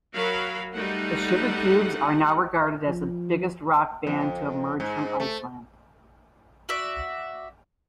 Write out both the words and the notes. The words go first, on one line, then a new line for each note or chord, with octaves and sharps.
The Sugarcubes are now regarded as the biggest rock band to emerge from Iceland.
F#3 F#4 A#4 F5 B5
G3 A3 D#4 F#5
F3
F2
G#2
A3
F#4 D5 E5